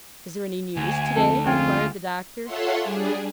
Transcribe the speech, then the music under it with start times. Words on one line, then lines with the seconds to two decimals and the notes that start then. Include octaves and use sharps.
'Is there any news today?' inquired the Doctor.
0.77 D2 G#5
1.16 F2 A4
1.46 F2 C#4 F4 G#4 G5
2.44 F4 A4 C#5 E5 F#5 C6
2.82 G3 D4 G#4